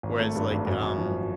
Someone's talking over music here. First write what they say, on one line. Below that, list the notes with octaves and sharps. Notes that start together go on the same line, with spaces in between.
Whereas, like, um,
G#1
A3
G2
G#1
F#2
F#2
F3